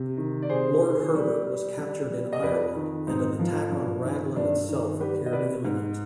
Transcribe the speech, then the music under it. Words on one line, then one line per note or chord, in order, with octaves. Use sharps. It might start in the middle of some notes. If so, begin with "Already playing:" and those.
Lord Herbert was captured in Ireland, and an attack on Raglan itself appeared imminent.
Already playing: C3
D#3
D5
C3 G#4 C5
D#3
G3
G3
G3
G3
D#5
F2 B4 D5
D#3
G#2 C4 D#4
F3
G2
D#3
G2 D4
D#3
G3 G4 B4
D#5
C3 B4 D5
G#2